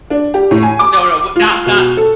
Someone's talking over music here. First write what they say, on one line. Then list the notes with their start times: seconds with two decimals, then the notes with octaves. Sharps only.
No, no, w not not
0.10 D4
0.34 G4
0.51 A2
0.63 G#5
0.79 D6
1.36 F4
1.66 B2
1.97 A4